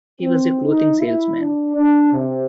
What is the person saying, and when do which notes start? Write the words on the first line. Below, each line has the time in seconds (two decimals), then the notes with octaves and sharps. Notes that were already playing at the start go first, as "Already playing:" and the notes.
He was a clothing salesman.
0.21 C4
0.65 D#4
1.00 E4
1.40 D4
1.76 D4
2.12 C3